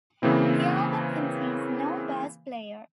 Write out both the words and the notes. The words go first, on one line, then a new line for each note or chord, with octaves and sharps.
The album contains no bass player.
C#3 E3 A#3 C4 E4